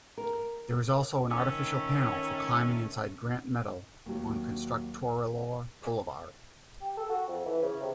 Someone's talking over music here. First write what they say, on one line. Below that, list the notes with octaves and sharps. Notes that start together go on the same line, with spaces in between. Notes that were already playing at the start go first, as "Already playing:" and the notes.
There is also an artificial panel for climbing inside Grant Metal on Constructorilor boulevard.
A#4
D#3 A3 C#4
D#2 F#3
G4
A4
F#4
F2
E3
C#3
C3